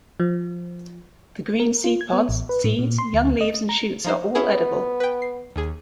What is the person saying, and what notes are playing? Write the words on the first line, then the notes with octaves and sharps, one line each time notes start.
The green seed pods, seeds, young leaves and shoots are all edible.
F3
A#4
F4
G#6
B3
A1
B4
A2
A#2
C6
D2
D#5
A#5
F3 D#4 C5
B3 C#4 E4 G#4
B4 G5
C7
D#2 G#4